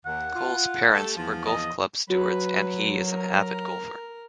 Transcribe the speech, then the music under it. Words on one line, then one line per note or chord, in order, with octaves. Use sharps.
Cole's parents were golf club stewards and he is as an avid golfer.
D#2 F#5
F4
A3 G4 A4
E2 F3
D#5
F#3 F#4 B4
A#4